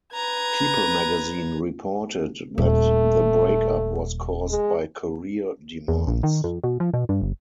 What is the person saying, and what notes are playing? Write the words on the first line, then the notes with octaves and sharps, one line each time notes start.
"People" magazine reported that the breakup was caused by career demands.
B4 A#5 G#6
D#1 A3
G#3
E2
A#1
D#3
F2
B2
F3
B2
G2
G1